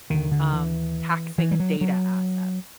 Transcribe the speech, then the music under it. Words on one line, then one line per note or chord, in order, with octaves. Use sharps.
um, taxing data assets.
D#2 D3 D#3
D3
E3
E3
G3
F#3
F#3